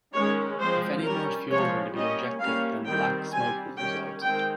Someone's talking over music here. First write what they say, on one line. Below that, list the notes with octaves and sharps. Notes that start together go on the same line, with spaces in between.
If any more fuel were to be injected then black smoke would result.
D#3 G#3 C#4 C#5
F3 G#3 C4 C5
G3 C#4 A#4
F3 G#3 C#4 C#5
G3 A#3 C#4 D#5
G3 A#3 C#4 F5
D#3 G3 C4 G5
G3 C4 G#5
D#3 G3 C#4 G5
D#3 G#3 C4 G5